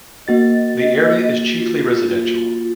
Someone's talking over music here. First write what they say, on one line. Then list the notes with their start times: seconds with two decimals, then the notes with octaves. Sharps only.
The area is chiefly residential.
0.28 A#3 F#4 D#5 A6
1.57 F4